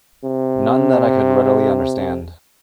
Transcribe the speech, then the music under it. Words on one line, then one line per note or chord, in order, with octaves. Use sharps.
None that I could readily understand!
C3